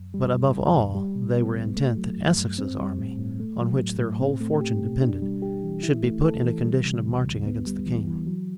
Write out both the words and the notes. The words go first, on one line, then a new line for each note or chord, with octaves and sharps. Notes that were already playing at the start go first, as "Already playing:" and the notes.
But, above all, they were intent that Essex's army, on which their whole fortune depended, should be put in a condition of marching against the king.
Already playing: F#2
G3
B2
E2
E2
G3
B2
B3
C2
A3
F#3
G2
G2
C4
G3
A2
A2
A3
F#3
A2
A2
C4
A3
G4
B2
D4
G3
G4
E3
E4
A3
A4
E3
G3
C3
D2
D2
B3
G3
E3
E3
F#3